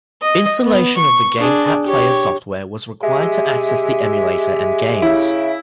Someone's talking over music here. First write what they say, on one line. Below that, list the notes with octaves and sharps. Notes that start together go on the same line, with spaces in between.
Installation of the GameTap Player software was required to access the emulator and games.
D#5
B3
C#6
D4 G#4
G4 C#5
G#3 G4 E5
C#3 E4